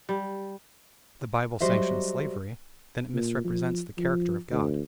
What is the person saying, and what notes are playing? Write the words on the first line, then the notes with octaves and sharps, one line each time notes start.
If the Bible sanctions slavery, then it misrepresents the character of God.
G3
F#3 G3 F#4 C5 D#5 E5
A#2
F3
F3
D2